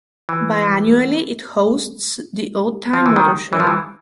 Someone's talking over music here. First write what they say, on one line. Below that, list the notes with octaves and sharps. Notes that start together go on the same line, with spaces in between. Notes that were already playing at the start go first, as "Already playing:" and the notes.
Bi-annually, it hosts the Old Time Motor Show.
E3
F3
E3
D#3
E3
F3
E3